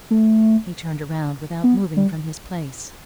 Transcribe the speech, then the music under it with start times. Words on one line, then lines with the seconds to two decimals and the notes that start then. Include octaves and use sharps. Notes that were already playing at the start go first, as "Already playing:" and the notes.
He turned around without moving from his place.
0.11 A3
1.64 B3
1.97 G3